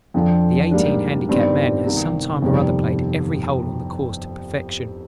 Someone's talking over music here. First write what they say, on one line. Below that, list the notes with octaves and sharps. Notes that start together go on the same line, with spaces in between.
But the eighteen-handicap man has some time or other played every hole on the course to perfection.
F2 D3 F3
G#2 G3 A#3 D4
G1 G2 D#3 G3 C4
C2 C3 D#3
G1 F2 C3 D#3 G3